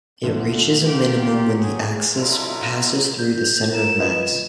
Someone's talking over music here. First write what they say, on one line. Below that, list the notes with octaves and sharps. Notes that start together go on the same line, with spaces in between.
It reaches a minimum when the axis passes through the center of mass.
D2 D3
D#4 F4 G4
F#3 G#4
B2 D3 F#3 E4 F4 A#5
G6
F4 A#4 E7
F4 B4 D#5